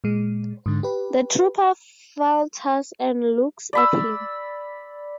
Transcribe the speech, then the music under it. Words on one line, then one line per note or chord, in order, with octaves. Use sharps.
The trooper falters and looks at him.
A#2 G#3
G#2 D3
G4 B4
D5 B5 E6